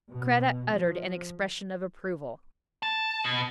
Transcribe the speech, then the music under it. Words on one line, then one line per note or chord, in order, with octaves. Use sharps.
Kreta uttered an expression of approval.
B2
F3
A5
B2